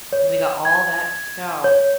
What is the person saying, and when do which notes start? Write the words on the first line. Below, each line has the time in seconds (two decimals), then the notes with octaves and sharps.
We got all that snow
0.13 C#5
0.65 G#6
1.64 C#5